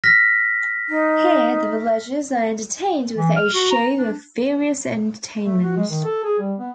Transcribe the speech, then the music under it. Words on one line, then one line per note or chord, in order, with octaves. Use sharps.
Here the villagers are entertained with a show of various entertainments.
F6 A#6 B6
D#4
E3
F6
F#4
A#5
D4
A3
F#4
G#3
D#3
A4
G#4
G3
B3